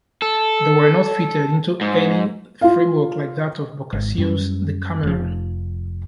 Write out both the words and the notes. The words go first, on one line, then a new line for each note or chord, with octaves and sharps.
They were not fitted into any framework like that of Boccaccio's "Decameron".
A4
G#2
F4 F5
G#1
F#2 G3
F1 F3